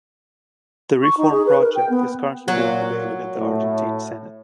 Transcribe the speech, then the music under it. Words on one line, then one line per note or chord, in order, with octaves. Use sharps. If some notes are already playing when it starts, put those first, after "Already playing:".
The reform project is currently being debated in the Argentine Senate.
C#6
D#4
G#4
B4
A#4
G5
B3
A#2 F#3
A2